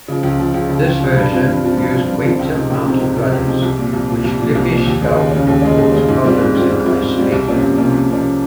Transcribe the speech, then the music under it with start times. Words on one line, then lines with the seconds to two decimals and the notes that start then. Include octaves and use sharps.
This version used wingtip-mounted rudders, which Lippisch felt would cause problems at high speed.
0.08 C#3 F3
0.23 C#2
0.39 C#3 F3
0.54 C#2
0.69 C#3 F3
0.85 C#2
1.00 C#3 F3
1.16 G2
1.32 F3 C4 F4
1.47 G2
1.62 F3 C4 F4
1.77 G2
1.92 F3 C4 F4
2.08 G2
2.24 F3 C4 F4
2.39 C#2
2.54 C3 F3 C4 D#4
2.70 C#2
2.85 C3 F3 C4 D#4
3.01 C#2
3.16 C3 F3 C4 D#4
3.32 C#2
3.47 C3 F3 C4 D#4
3.62 C2
3.78 A#2 F3
3.93 C2
4.08 A#2 F3
4.24 C2
4.39 A#2 F3
4.55 C2
4.70 A#2 F3
4.86 D#2
5.01 C#3 G#3 C#4
5.16 D#2
5.32 C#3 G#3 C#4
5.47 D#2
5.62 C#3 G#3 C#4
5.78 D#2
5.94 C#3 G#3 C#4
6.09 G#2
6.24 G3 C4 F4
6.39 G#2
6.55 G3 C4 F4
6.71 G#2
6.86 G3 C4 F4
7.01 G#2
7.16 G3 C4 F4
7.32 C2
7.47 C3 F3 A#3 C#4
7.63 C2
7.78 C3 F3 A#3 C#4
7.93 C2
8.09 C3 F3 A#3 C#4